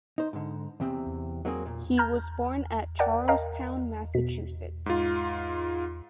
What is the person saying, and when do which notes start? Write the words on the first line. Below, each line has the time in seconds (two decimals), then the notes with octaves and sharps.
He was born at Charlestown, Massachusetts.
0.18 D#4 C5
0.33 G#2 D3
0.80 E2 C3 C4
1.45 F#3 A#3 C4 G#4
1.66 A#2
1.97 A5 A#5 F6 G6 G#6
2.99 A#4 D5 F#5 G5 A5 A#5
3.28 A#4 D#5 F5 G5 A5 A#5
4.14 B2 B6
4.86 G#2 F4